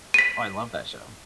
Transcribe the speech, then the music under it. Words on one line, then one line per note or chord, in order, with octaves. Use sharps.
Oh, I love that show.
B6 D#7